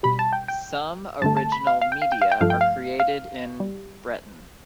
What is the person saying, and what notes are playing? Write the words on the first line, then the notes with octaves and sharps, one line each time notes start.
Some original media are created in Breton.
B2 G3 B5
A5
G5
G5
G2 D3 A3 A5
A5
B5
F5
F5
G5
F5
G5
F5
G5
G2 F3 A3 F5
G5
F5
F5
G3